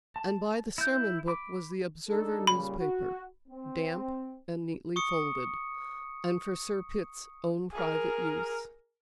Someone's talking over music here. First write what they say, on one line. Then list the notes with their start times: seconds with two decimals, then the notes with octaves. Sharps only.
And by the sermon-book was the Observer newspaper, damp and neatly folded, and for Sir Pitt's own private use.
0.16 A5
0.78 E4 G6
1.28 B5 D6
2.09 D4 D#4 A4
2.47 A#2 C#3 G3 B5
2.79 F#4
3.49 C4
4.96 C#6 D#6 C#7
7.72 G#4 A#4